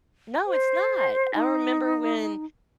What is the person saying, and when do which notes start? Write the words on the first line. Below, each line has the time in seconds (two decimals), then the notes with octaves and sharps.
No, it's not. I remember when,
0.47 C5
1.35 D#4